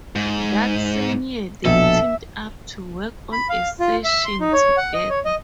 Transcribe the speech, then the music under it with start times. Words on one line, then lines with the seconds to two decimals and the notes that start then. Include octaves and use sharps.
That same year they teamed up to work on a session together.
0.16 G#2
1.65 A#1 B2 A4 E5
3.32 B5
3.49 F5
3.80 F4
4.04 E5
4.25 C6
4.40 D#4
4.53 C#5
4.77 F#5
4.94 D#5
5.10 C#5
5.25 D#5